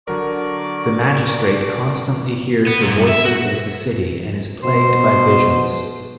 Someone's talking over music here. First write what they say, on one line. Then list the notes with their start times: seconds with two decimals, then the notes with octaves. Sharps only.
The Magistrate constantly hears the voices of the city and is plagued by visions.
0.08 D3 F#3 A#4 D5 C#6
2.67 B3
2.81 B1 A#2
2.94 G2
3.08 E5
3.25 F#4
4.64 B2 C5